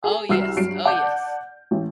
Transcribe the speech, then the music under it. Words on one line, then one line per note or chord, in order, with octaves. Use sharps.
Oh, yes. Oh, yes.
G#4 A4
C2 F#4 E6 F6 C7 E7
G2 F#3 C7 D7
D5 F#5 A5 D6 G6
A1